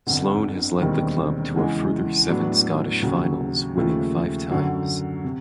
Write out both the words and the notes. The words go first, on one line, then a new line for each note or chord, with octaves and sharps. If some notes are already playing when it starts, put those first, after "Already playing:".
Sloan has led the club to a further seven Scottish finals, winning five times.
G1 F2 D3
E1 D#2 D#3 G3 C4
E2 C#3 E3 G#3
A2 F#3 B3 D4
D#2 C#3 F#3
D#2 C#3 F3 A3
F#2 D3 F#3
C3